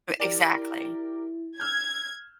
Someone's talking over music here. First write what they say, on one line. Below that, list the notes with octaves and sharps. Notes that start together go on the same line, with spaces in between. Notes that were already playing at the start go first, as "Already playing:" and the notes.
But exactly.
E4 G4 A#4 D5
E6 F6 G6 G#6